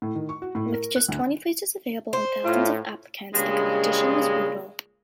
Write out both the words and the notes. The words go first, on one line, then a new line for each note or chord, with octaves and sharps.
With just twenty places available and thousands of applicants, the competition was brutal.
A2
D#3
C#6
F#4
A2
A#4
F#6
D2
C5
A2 F4
G2 A#2 C#3 G#3